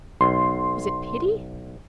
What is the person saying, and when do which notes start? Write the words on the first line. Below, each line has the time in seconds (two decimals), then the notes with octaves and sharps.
Was it pity?
0.21 B1 C6